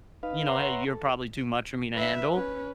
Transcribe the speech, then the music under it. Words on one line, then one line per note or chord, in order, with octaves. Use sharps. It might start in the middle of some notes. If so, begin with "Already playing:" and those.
you know, "Hey, you're probably too much for me to handle,"
D#4 B4 F5
B4 C#5 E5 F#5 A#5 C6
A4
B4 E5
C#4 B4